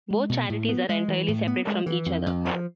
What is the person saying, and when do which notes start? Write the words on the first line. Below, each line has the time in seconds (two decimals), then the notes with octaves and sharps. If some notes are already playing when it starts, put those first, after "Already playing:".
Both charities are entirely separate from each other.
0.10 G#3
0.29 B2
0.49 A2
0.69 B3
0.89 G#3
1.08 E3
1.28 A2
1.47 B3
1.67 G#3
1.86 E3
2.06 F2
2.26 F2
2.45 F3